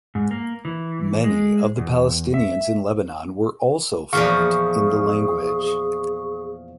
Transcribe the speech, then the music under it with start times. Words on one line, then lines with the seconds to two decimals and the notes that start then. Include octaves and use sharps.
Many of the Palestinians in Lebanon were also fluent in the language.
0.15 G#2
0.31 A#3
0.65 E3
1.24 G#3
1.78 E2
2.34 E5
4.13 E2 A#2 F3 G#4 F5 C#6